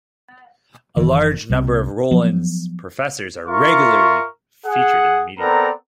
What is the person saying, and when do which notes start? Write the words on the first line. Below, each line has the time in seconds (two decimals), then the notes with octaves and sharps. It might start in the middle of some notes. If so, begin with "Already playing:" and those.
A large number of Rollins professors are regularly featured in the media.
0.97 F#1 D#3 E3
1.49 C2 C3 E3 C4
2.11 F3 F#3 B3
3.48 F4 A#4 E5 C#6
4.66 G#4 F#5
5.39 B3 C4 A4 A#4 D5 A#5